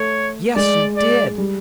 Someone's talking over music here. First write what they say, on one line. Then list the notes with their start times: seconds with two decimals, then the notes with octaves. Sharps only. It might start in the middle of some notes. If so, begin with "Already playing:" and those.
"Yes, you did."
Already playing: A3 C#5
0.56 G#3 D5
0.96 D5
1.38 G3